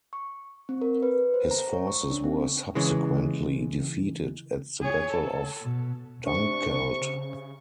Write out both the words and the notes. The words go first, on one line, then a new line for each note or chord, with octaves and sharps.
His forces were subsequently defeated at the Battle of Dunkeld.
C#6
C4
A#4
B4
C5
A#5
C#5
C#6
D4
C4
C#3 E3 G#3
G#4 C#5
A4
B2
C3 D4 C#6
C#3